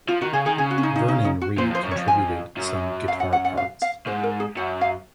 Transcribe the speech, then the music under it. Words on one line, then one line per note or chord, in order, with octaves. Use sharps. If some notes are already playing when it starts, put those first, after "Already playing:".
Vernon Reid contributed some guitar parts.
F3 F4
D#3 F#4
C#3 G#4
D#3 G#4
C#3 G#4
F#4
C#4
D#4
D#4
D#4
D#4
F#4
A#2 C5
F2
C5
F#2
C#5
F2
G#5
F#2
F5
F#5
F#5
F#5
F5
F5
G#2 C5
A#4
G#4
F#2 F#5
F5